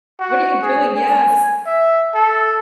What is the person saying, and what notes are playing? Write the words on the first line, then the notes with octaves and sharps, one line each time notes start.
What are you doing? Yes.
F#4
G#4
G#5
E5
A4